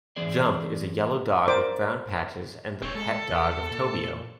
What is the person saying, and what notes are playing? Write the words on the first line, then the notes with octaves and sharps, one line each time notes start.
Jump is a yellow dog with brown patches and the pet dog of Tobio.
E3 C4 G#4 D5
A#4 C5 D5 D6
E1 C4 C#5
G#3 A4
E2
A#2